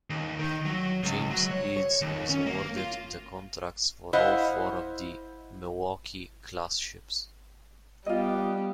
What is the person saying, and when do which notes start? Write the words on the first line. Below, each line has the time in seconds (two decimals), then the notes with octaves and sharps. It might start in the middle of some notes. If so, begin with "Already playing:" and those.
James Eads was awarded the contracts for all four of the "Milwaukee"-class ships.
0.10 D#2
0.39 D#3
0.66 F#3
1.03 C#2
1.31 F#3
1.51 C#5
1.77 C#5
2.02 D#2
2.29 C#4
2.46 A#3
2.77 F4
4.13 E4 C5 D#5 F5 F#5
8.06 G3 B3 F4 D#5